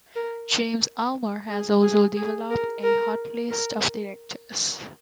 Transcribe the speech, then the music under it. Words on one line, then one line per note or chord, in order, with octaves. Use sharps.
James Ulmer has also developed a "Hot List of directors".
A#4
G#4
G#4
G#4
A#4
A#4
A#4